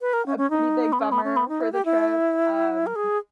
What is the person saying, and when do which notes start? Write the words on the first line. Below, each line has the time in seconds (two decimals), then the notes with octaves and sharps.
a pretty big bummer for the trip, um
0.01 B4
0.13 A#4
0.26 C#4
0.38 C#4
0.50 D#4
0.92 B3
0.99 C#4
1.12 B3
1.24 C#4
1.36 B3
1.48 D#4
1.60 E4
1.72 G4
1.85 E4
2.86 A#4
2.96 G#4